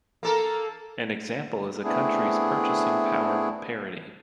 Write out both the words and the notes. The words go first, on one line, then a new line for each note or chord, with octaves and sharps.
An example is a country's purchasing power parity.
A#3 A4 A#4
A3 B3 C4 D4 E4 G#4